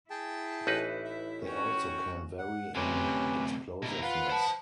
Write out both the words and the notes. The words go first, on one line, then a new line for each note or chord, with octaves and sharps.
They also can vary in explosiveness.
E4 G#4 G5 A5
A1 D#4 B4
E5
C#4 F#4 C#5 G5
F#5
D2 C3 C#4 G4 B4
B2 E4 A#4
F4 B4 F#5 B5
C5 A5